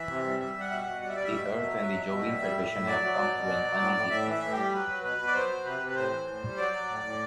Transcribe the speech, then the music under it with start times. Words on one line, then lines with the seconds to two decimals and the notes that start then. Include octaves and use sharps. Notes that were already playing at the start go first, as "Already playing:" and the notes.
The Earth and the Jovian Federation have come to an uneasy peace.
Already playing: E3 E5
0.09 C3
0.24 G3
0.39 G3 E5
0.55 G3 F#5
0.71 B2 E5
0.81 B2 F#5
1.01 G3 F#5
1.09 E5
1.16 G3 D5
1.24 E5
1.33 B2
1.48 B2
1.63 F#3
1.79 F#3
1.94 B2
2.09 B2
2.25 G3
2.40 G3
2.56 A2
2.71 A2
2.87 F#3 D5
3.02 F#3
3.18 B2
3.33 B2
3.49 F#3
3.64 F#3
3.80 A2
3.95 A2
4.10 A2 E5
4.25 E3
4.31 E5
4.41 A2
4.52 G4
4.57 G3
4.72 F#3 B4
4.87 F#3
5.03 B2 B4
5.18 B2
5.27 D5
5.33 F#3 C5
5.49 F#3
5.65 C3 B4
5.80 C3
5.87 B4
5.95 A2 C5
6.11 E3
6.27 A2
6.42 G3
6.57 F#3 D5
6.73 F#3
6.88 A2
7.04 A2